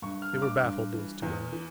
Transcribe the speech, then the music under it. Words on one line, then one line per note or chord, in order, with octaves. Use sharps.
They were baffled, those two women.
G2 C#6
F6
G2
D6
G2
E3
E2
E3